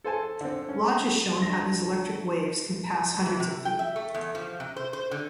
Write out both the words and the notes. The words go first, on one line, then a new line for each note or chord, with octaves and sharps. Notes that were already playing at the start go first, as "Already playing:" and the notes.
Lodge has shown how these electric waves can pass hundreds of feet.
A4 C5 G#5 A5
D3 C4
C#4
G#3 D4 E5 A5 A#6
E3
C3
G5
E5
A3
E2
F3
C3
C5
C5
D3